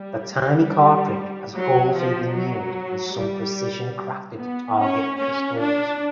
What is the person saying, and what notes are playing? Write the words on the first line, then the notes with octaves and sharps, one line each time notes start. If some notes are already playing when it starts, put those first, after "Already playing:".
The tiny cartridge has also been used in some precision crafted target pistols.
Already playing: G3
G3
F#3
F3
F#3
G3
B3
C#4
C#4
D4